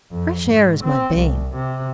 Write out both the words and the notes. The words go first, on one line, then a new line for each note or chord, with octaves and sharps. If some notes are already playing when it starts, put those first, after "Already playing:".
Fresh air is my bane.
F2
G#2
C4
C2
C3